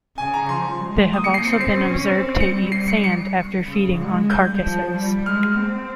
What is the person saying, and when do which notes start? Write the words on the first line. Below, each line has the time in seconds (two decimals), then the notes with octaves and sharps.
They have also been observed to eat sand after feeding on carcasses.
0.18 C#3 G#5
0.34 A#5
0.49 F3 C6
0.81 G#3
1.13 A#3 D#6
1.24 C#7
1.34 C7
1.45 C4 C#7
1.61 C7
1.77 C#4
2.08 C4
2.40 G3 C#7
2.72 C7
2.88 C#7
3.04 C#7
3.68 C#3
3.99 G#3
4.30 G3 G6
4.63 F3
4.94 G3
5.26 G#3 F6
5.57 C4